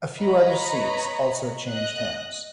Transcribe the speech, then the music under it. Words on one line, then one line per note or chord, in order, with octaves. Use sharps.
A few other seats also changed hands.
B4 C#5 D#5 A#5 B5
D#5 F#6